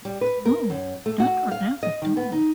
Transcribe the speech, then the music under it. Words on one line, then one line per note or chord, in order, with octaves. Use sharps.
No, that would never do.
G3
B4
A#4
F#2
A3
F#4
F5
D#5
D#3
B3
D#4